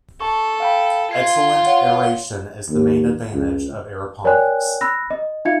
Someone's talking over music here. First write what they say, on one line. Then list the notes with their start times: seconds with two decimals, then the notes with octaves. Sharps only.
Excellent aeration is the main advantage of aeroponics.
0.21 A4 A5 C#6
0.60 F5 G5 B5
1.11 F4 C6 G#6 C7
1.66 C#5 F#5
2.69 D#2
3.33 C#2
4.24 A#4 C#5 D5 G5 G#5 F#6
4.81 B5 E6 F#6 A#6
5.11 D#5
5.45 D#4 F4 E5 F5 G#6 C#7